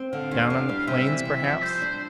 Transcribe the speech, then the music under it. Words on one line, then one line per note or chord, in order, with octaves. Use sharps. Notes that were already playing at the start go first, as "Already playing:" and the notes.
Down on the plains, perhaps?
Already playing: C4
D3 F5
E2
D4
G3
C3 E5
E3
C3
F3
G3 C5
D4